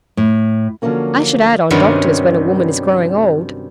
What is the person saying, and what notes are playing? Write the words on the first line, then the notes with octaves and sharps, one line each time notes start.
I should add on doctors when a woman is growing old.
A2
D3 F3 F#3 A#3 C#4
G2 C3 D#3 F#3 G3 C#4